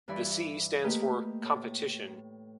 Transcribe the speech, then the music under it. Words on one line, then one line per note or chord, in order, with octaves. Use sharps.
The "C" stands for "competition".
G2 E3 E4 D5 B5
A3 A#3 G4 B4 D#5
A2